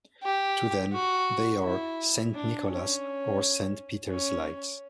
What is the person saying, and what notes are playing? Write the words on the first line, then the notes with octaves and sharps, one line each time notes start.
To them, they are "Saint Nicholas" or "Saint Peter's lights".
G4
F#4
E4
D4
C#4
C#4